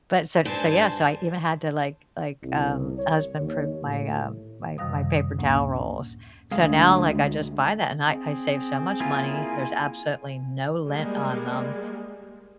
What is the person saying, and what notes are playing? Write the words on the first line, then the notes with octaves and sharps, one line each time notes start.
But so so yeah. So I even had to, like like, um, husband-proof my, uh my my paper towel rolls. So now, like, I just buy that, and I I save so much money, there's absolutely no lint on them.
G2 C5 G#5 A5
C2
C#5
D#2
A2
F#2 C3 D#3 G3 F5 D#6
D2 A2 A#3 C#4
D2 G#3 F5
C4 G#4
A#3 E4 F4 G#5
G3 G#3 A#3